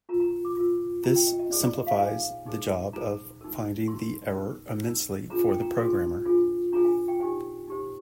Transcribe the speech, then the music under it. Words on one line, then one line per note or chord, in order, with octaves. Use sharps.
This simplifies the job of finding the error immensely for the programmer.
F4 A#4 A#5
A#5
D6
F4 A#4
F4 A#4 A#5
G5
D#5
D#5
D#4 G#4 C5 D5
D5
D#5
F5
D#4 G#4 C5 G#5
D#4 G#4 C5
D#4 G#4 C5 A#5
D#4 A#4
D#4 A#4 C6
D#4 A#4
D#4 A#4
D4 F4 G#4 C5 A#5
G5
A#5
D4 F4 G#4 C5 C6
D4 F4 G#4 C5
D4 F4 G#4 C5 A#5
G#5
G5
D#4 G4 C5 G#5
D#4 G4 C5